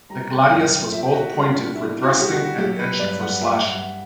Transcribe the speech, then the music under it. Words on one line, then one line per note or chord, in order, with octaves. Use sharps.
The gladius was both pointed for thrusting and edged for slashing.
G3 A#5
G5
F#2 G5
G5
A#2 E5
G4
F#4
G3
D4
B2 E4
F#4
G3 G4
F#4
F#3 G4
B4
G2 D5
F#5
G3 E5
F#5